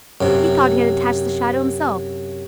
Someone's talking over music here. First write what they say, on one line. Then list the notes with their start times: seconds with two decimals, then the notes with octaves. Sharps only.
He thought he had attached the shadow himself.
0.21 F#2 C3